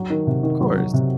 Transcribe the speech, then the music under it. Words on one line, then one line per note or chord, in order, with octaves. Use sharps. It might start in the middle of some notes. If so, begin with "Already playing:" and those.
Of course.
Already playing: F#3 D4
D#3
C3
D#3
F#3
F#3
C3